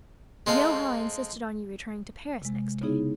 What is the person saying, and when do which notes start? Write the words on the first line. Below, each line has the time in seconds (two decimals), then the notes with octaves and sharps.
You know how I insisted on your returning to Paris next day.
0.47 G#3 C4 A4 F5
2.42 C3 G#3
2.82 C#3 B3 D#4 E4 G#4